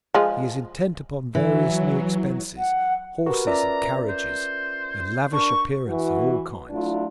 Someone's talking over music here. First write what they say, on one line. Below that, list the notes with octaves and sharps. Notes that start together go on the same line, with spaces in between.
He is intent upon various new expenses,--horses, and carriages, and lavish appearances of all kinds.
F3 G#3 G#4
E3 F#3
F#5
F#4 G4 A#4 B4
C#4 F4 D5 E5 A#5
C5
D4 A#4 C#6
E3 F#4
F#3 A3 D4 E4 F4